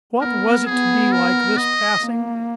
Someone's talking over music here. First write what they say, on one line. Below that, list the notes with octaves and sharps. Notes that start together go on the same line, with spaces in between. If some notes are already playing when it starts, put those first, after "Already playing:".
What was it to be like this passing?
B3 A#4
B3 G#4
A#4
D#5
A#3